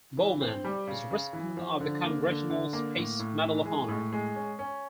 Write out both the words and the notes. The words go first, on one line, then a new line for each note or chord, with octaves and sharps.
Borman is a recipient of the Congressional Space Medal of Honor.
E3
C4
G3
C#3
C#3
E3
F3
D3
A#3
D3
D3
A#3
A2
A2
E3
G#3
A2
G#3
C#4
C#4